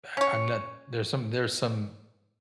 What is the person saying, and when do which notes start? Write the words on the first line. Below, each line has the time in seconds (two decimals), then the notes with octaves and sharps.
uh, I'm not there's some there's some,
0.17 C#4 C#5